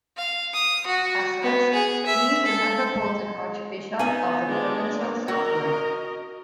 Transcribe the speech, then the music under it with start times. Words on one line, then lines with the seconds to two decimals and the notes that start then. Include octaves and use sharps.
As such he is the Metropolitan Archbishop of the Province of Southwark.
0.17 F5
0.54 D#6
0.87 F#4
1.42 B3
1.73 G#4
2.06 E5
2.46 A4
2.96 G#3
3.99 B3 D#4 G#5
4.47 G#3 D4
4.98 A#3
5.28 F#4 A#4 D#5